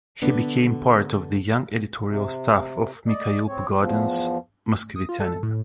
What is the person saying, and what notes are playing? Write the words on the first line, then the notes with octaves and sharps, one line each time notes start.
He became part of the "young editorial staff" of Mikhail Pogodin's "Moskovityanin".
D3 B3 D4 B4
C3
D5 D#5
C4 C#5
E2 F3
D#6
F4
A4
A2